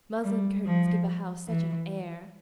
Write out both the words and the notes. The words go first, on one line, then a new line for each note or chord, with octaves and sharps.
Muslin curtains give a house such an air.
G3
F3
E3